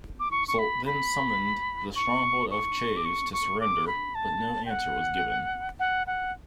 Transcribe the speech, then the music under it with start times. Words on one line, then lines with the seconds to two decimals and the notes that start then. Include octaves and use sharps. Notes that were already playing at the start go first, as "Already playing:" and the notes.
Soult then summoned the stronghold of Chaves to surrender, but no answer was given.
0.20 D6
0.31 C#6
0.48 C#6
0.59 B5
0.86 B5
1.96 C#6
2.51 C#6
2.97 D6
3.05 C#6
3.33 C#6
3.61 D6
3.87 B5
4.15 A5
4.66 G5
4.70 F#5
5.79 F#5
6.07 F#5